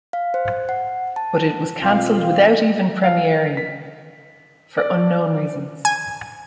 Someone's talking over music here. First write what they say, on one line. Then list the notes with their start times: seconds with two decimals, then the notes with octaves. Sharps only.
But it was canceled without even premiering, for unknown reasons.
0.13 F5
0.34 C5
0.69 F#5
1.16 A5
1.80 B1 C4 F4 F5
3.04 F5
3.57 B6
4.77 D5
5.85 G#5